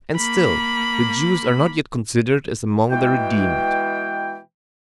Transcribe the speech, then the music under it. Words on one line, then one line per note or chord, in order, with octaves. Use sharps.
And still the Jews are not yet considered as among the redeemed.
A#3 B5
B2 E3 G#3 G5